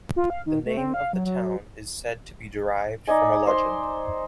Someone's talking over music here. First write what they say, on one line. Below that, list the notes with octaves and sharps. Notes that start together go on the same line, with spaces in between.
The name of the town is said to be derived from a legend.
F4
F5
D#3
A3
C4
F5
F#3
F#3
D#4 D5 D#5 G#5
C5 C6